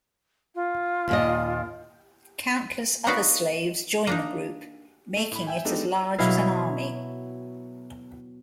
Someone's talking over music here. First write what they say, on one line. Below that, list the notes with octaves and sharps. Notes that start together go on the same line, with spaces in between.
Countless other slaves join the group, making it as large as an army.
F4
D#2 A#2 D#5
A#3 B3 D#4 F#4 D5 F5
A#3 D4 D#4
A3
A2 B5
E5 G5 G#5
G#3 B3 D4 D#4 G4 A4
B2 F#3 E4 F5